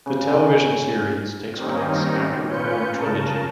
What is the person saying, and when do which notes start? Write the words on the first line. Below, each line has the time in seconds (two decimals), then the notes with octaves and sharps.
The television series takes place after the film trilogy.
0.06 C#3
1.57 D#3 G3 A#3 C4 C#4 D#4
2.46 A#2 C#4 F4 B4 G6 C#7
2.96 C#3 A#4 A5